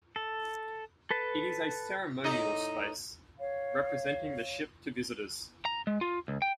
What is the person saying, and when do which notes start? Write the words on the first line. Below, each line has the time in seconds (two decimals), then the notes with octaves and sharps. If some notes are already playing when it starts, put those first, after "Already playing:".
It is a ceremonial space, representing the ship to visitors.
0.16 A4
1.11 A4 B4 A5
2.24 A2 D#4 D#5
3.39 C#5 F5
5.65 A#5
5.87 G#3
6.01 F4
6.28 C#2
6.42 G5